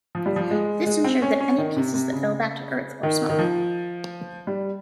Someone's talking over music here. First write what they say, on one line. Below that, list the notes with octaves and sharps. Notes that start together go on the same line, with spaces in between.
This ensured that any pieces that fell back to Earth were small.
F3
G3
F3
G#3
G#3
C4
C#4
C#4
D#3
C3
C3
C#3
D#3
D#3
F3
G3